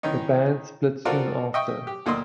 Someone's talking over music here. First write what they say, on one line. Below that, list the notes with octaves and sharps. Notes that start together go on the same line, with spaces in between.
The band split soon after.
D#3 E3 C#4 D#4
C4 F4 F#4 A4 A#4 D5
D#5 E5 G5 C#6
G4
D2 A#2 A#3 D#5 C6